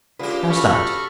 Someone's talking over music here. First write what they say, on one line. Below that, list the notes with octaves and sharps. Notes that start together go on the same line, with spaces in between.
How's that?
C#3 F4 G4 B4
F4 F#4 A4 B4 B5 C#6 F6